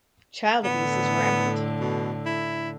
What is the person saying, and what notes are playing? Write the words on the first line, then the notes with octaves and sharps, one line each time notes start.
Child abuse is rampant.
A2 D3 B3
B2
E4